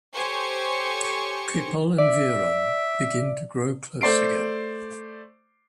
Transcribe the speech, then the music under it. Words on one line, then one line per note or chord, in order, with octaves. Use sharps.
Kripal and Veeran begin to grow close again.
G4 A4 C5 C#5 G#5 C#6
D5 E5
A3 C5 D5 C7 D7